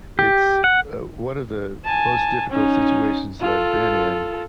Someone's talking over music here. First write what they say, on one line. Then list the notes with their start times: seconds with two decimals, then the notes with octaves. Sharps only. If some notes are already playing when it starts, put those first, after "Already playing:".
it's, uh, one of the most difficult situations that I've been in
0.19 G4
0.64 F#5
1.85 G#5 A5
2.50 C#4 D#4
3.41 F4 A4